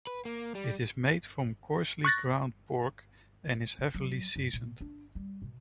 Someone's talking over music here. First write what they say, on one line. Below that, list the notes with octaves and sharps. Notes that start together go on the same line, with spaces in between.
It is made from coarsely ground pork and is heavily seasoned.
B4
A#3
G3
C#6 F#6 A6 A#6
B3
F#3
F#2
A#2
D4
G3
B2